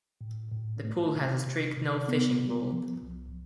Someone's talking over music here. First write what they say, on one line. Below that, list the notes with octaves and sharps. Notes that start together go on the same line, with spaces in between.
The pool has a strict no fishing rule.
A2
A2
A3
C3
C3
C3
B3
B3
F3
C2